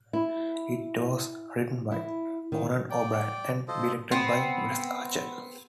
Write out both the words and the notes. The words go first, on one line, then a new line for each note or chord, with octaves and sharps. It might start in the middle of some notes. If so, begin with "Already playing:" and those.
It was written by Conan O'Brien and directed by Wes Archer.
E4
E4
D#3
D5 G5
F4 A4 C5 D#5
B3 C4